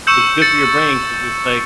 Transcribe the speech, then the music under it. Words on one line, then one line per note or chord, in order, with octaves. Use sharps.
It's good for your brain 'cause it's like
C#6 E6 G6 C#7 E7
A6 C#7